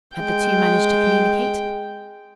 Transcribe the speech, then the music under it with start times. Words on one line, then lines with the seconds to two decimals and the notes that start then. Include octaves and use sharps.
Had the two managed to communicate?
0.15 G#3 G5